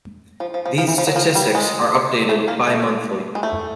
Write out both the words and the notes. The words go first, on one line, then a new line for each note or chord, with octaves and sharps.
These statistics are updated bi-monthly.
F3
F3
F3
F3
E3
F3
F#3
F3
G3
G#3
A3
A#3
A3
G#3
A3